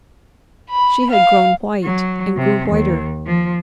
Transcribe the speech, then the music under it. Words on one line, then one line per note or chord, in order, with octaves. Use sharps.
She had grown white, and grew whiter.
B5
F5
F#3
C3
D#2
F3